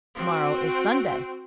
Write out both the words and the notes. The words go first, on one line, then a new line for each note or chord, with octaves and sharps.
"To-morrow is Sunday."
C4 F#4